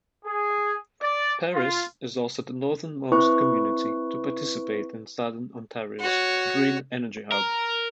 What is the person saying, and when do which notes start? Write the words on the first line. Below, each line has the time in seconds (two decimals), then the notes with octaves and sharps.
Paris is also the northernmost community to participate in Southern Ontario's Green Energy Hub.
0.25 G#4
1.01 D5
1.53 F4
3.12 C4 E4 B4 C#6
6.00 F#4 C#5
7.32 A#4